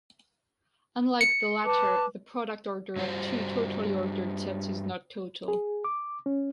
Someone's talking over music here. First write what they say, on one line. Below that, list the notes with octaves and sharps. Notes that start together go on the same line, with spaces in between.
Unlike the latter, the product order of two totally ordered sets is not total.
C#7
B4 A5 D6
G2 G3 F4 F#4 C5
G#4
D6
C#4